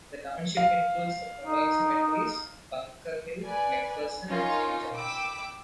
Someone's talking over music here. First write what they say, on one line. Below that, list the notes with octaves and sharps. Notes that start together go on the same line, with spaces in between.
The township includes the following cemeteries: Bunker Hill, McPherson and Saint Johns.
F5
D#4
B4 D5 G#5
C#4 D#4 F4 A#4
G5 B5 D6 E6